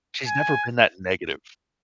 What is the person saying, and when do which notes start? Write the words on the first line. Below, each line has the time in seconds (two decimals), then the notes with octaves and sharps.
She's never been that negative
0.27 G#5